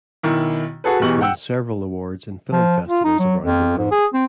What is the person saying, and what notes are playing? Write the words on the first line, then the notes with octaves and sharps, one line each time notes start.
It won several awards in film festivals around the world.
B1 D#3 E4
F#4 G#4 A4 B4
B1 E2 E3 G4 C#6 F#7
F#5 G5 E6
F3
F4
D#4
F#3
F2
G#2
G#4
C4